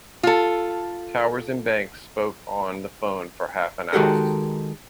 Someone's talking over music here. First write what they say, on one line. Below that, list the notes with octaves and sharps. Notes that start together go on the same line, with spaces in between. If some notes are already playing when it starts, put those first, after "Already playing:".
Towers and Banks spoke on the phone for half an hour.
F4 A4
D#3 G#3 F#4 G4 A4 A#4